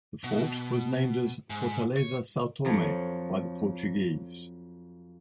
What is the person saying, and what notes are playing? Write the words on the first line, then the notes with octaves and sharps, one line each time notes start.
The fort was named as Fortaleza Sao Tome, by the Portuguese.
B2
G#2
C#5
F2 F3 F#3 C#5